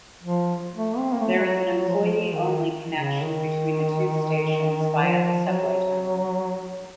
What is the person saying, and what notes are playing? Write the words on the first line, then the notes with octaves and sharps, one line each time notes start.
There is an employee-only connection between the two stations via the subway tunnels.
F3
A3
C4
A#3
A3
F#3
F3
F#3
F3
D#3
C#3
D#3
F3
F#3